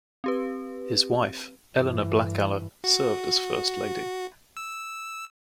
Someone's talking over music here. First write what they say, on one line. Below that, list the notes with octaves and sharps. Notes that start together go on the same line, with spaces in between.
His wife Elena Blackaller served as first lady.
C4 G4 B4
G2 E3
F#4
E6